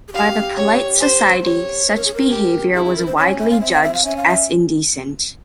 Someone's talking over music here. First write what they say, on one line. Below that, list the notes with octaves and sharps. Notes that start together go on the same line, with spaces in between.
By the polite society, such behaviour was widely judged as indecent.
G#4
G4 F5
C#5
C5
F4
G4 C#5
C5
A#4
G#4
A#4
G4
E4 G#4
G#4
A#4
C5
C#4 C#5
E5
F5
C4 E5
F5
E5
F5
C#4 E5
F5
E5